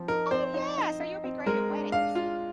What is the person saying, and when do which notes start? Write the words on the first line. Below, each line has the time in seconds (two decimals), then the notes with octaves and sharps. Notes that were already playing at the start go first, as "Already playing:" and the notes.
Oh yeah, so you'll be great at weddings.
Already playing: F3 C4
0.08 D#4 A#4
0.31 C4 C5
0.54 D#4
0.78 D#4
1.00 D#4
1.24 C4
1.46 G#3 A#4
1.69 D4
1.92 D4 F5
2.15 F4